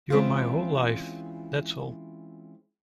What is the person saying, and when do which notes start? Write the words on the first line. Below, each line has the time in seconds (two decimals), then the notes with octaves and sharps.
You're my whole life, that's all.
0.10 E3 G#3 C4 C#4 E4 F4